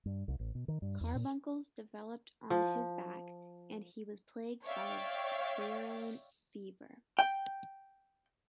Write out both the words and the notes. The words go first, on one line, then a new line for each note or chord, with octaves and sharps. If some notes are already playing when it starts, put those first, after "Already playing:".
Carbuncles developed on his back and he was plagued by a virulent fever.
G2
C2
A1
B2
D#3
G2
E2
A#2
F3
C#5 D5 E5 F5 G5
G5